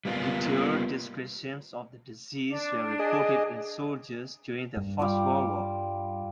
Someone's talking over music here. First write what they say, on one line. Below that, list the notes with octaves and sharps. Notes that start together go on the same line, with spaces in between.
Detailed descriptions of the disease were reported in soldiers during the First World War.
G3 A#3 B3 F4
D4
G#4 D#5
G2
G3 F4 D6